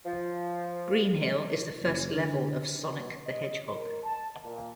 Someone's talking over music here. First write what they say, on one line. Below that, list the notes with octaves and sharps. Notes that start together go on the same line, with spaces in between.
Green Hill is the first level of "Sonic the Hedgehog".
F3
F#1
D3
B2
D#5
A#4
A5
A#2